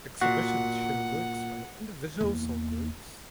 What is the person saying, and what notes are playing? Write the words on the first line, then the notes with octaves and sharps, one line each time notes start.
Exhibitions show works by individuals or groups.
A#2 F#4 F#5
E2 A#3